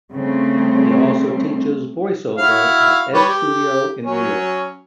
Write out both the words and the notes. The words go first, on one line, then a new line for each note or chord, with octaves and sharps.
He also teaches voice-over at Edge Studio in New York.
C#3 G3 A3 C4
E4 F#4 F5
G3 B4 C#5
G4
F#3 C#4